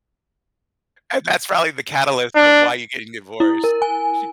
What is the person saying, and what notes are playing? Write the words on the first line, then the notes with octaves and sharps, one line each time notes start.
And that's probably the catalyst of why you're getting divorced. She
D4
E4
A#4
G#5